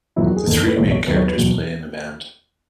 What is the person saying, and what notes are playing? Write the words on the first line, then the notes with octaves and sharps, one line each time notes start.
The three main characters play in a band.
E2 D#3 F#3 E4
F#4
G#4
F#1 E2 D#3 A4
A4
B4
B1 A2 E3 G#3 C#5
C#5
E1 D#2 D#3 F#3 B4
C#5
B4
E2 B2 F#3